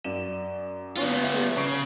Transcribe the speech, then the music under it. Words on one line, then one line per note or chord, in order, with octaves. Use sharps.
Oh dear!
F#2 D5 E7
B3 F4
E5
C#3 C#6 C7 D7